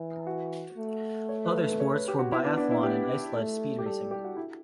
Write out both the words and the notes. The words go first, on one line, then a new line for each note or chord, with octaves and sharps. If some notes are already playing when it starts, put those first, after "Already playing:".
Other sports were biathlon and ice sledge speed racing.
Already playing: E3
F#4
A3
C#5
B4
B4
C#5
B4
G4
F#4
B3 E4
D4
D4
E4
G4
A3
G4
G3 A4
G4
F#4
E4